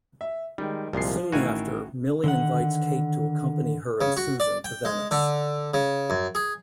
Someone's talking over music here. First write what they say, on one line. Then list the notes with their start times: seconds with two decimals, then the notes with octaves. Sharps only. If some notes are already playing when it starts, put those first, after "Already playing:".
Soon after Milly invites Kate to accompany her and Susan to Venice.
0.21 E5
0.58 D#3 G3 G#3
0.93 C2 A#2 F3 G#3 C7
1.32 A1 D#3 E4 F#4 F5 G#5
2.24 D3 D#3 F#5
4.01 C#3
4.17 F#4
4.40 D5
4.64 G5
4.85 G#3
5.11 D3
5.74 C#3
6.10 F#2
6.35 G#4